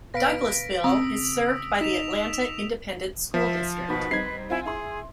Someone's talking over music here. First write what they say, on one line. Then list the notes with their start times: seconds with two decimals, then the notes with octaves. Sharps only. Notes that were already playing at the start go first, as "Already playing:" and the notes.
Douglassville is served by the Atlanta Independent School District.
0.14 B2 B4 F5 A#6 B6 D7
0.84 C#3 C4 D#6 E6
1.81 D#4 B6 E7 F7
3.34 F3 E5
3.88 D#2 B2 B4
4.11 G3 C4 D#4 G#6 C7
4.50 C4 E4 F4 G#5
4.65 E4 G#4 C6